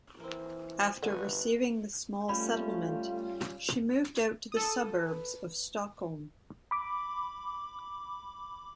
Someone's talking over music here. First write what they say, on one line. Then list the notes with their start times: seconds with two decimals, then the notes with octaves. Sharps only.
After receiving the small settlement, she moved out to the suburbs of Stockholm.
0.20 E3 A#3 C4
1.03 G1 D3 F#4 B4 G#5
2.29 G3 A3 C#4 F4 B5
4.52 A4 D#6
5.00 B4
6.71 B5 D6